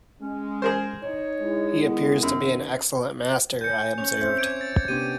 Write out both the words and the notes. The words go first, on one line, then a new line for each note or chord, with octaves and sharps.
"He appears to be an excellent master," I observed.
G#3 C#4
G#4 A#4 C5
D#4 C#5
G#3 E4
D#3 B3
F#2
G#5 G6 C#7
C#4 C#5 F7
C4 C5 E5
D6 G#6 D7
A6
C3 B3 C#4 D4 G4 D#7